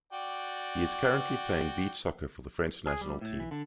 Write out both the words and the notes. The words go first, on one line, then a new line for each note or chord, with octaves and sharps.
He is currently playing beach soccer for the French National team.
F#4 D5 G5
G#4
G3
A2
E3
D3